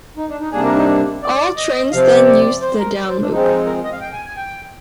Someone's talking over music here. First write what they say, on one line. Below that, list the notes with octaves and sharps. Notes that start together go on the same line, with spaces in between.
All trains then used the Down loop.
D#4
D4
D#4
C3 G3 A#3 D4 G#4
A#4
D#4
D5
D#5
C3 F3 C4 F5
D5
D5
C5
A#4
D5
C5
D4
F3 G#3 C4 D#4
A#4
D#5
F5
G5
G#5
G#5
G5